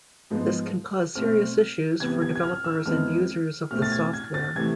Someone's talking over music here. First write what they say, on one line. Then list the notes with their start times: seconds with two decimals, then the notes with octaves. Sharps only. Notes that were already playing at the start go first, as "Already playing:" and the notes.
This can cause serious issues for developers and users of the software.
0.30 G#2 F3 G#3 B3
1.15 B2 A3 C4 F6
2.00 C3 E3 B3 G#6
2.22 G#6
2.36 G#6
2.43 F6
2.64 E6
2.86 F2 E3 G#3 B3 F6
3.71 B2 A3 C4 F6
3.82 A6
3.92 G#6
4.13 G#6
4.34 A6
4.55 C3 E3 A3 G#6